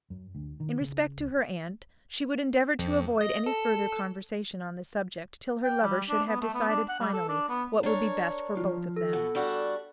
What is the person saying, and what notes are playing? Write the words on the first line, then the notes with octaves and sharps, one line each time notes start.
In respect to her aunt, she would endeavour to avoid any further conversation on the subject till her lover should have decided finally what would be best for both of them.
F#2
D2
D#3
C#3
C#2
F2
D#5
A4
G5
G3
D4
B3
A3
B3
D4
F#5
G3
A4
D4
B3
D4 A#4 C#5
F3 F4
A4
B2 F#5
G3 D4 F#4